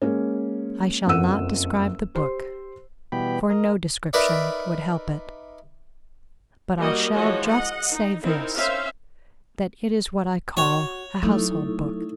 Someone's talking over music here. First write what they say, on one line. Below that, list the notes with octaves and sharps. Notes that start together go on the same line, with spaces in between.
I shall not describe the book, for no description would help it. But I shall just say this; that it is what I call a Household Book.
G#3 A#3 C#4
F#1 F2 A4 F#5 E6 D#7
G4 C5 C6
B2 E3 G3 B3 G5 B5
A#4 D#5
D#4 A#4 B4 D5 E5
G3 A#3 F#4 D#5
E3 F3 G#3 F#4 C#5 D#5
D#5 F#5
D#4
C4 D#4 E4 A#4
C#4 C5 E5 F5
F#4 C#5
F#3 A3 D#4 E4 A4